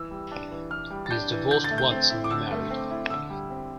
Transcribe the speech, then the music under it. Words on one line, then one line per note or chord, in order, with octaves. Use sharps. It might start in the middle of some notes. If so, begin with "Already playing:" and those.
He has divorced once and remarried.
Already playing: E3 E6
G3
D4
E3
E3 F6
G3
A6
D4 G6
E3
D3 G6
A6
A3
G6
C4
E4
D6
D3 E6
A3
C4
E4
D3 E6
G3
C4